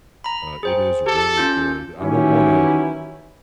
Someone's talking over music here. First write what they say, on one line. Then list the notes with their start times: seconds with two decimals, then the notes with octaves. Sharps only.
uh, it is really good. I don't wanna
0.24 A#5 B5
0.63 G#4 C5 G5
1.06 G4 A4
1.37 C#4 F4 G6
2.01 D#3 E3 F#3 C#4 E4 G4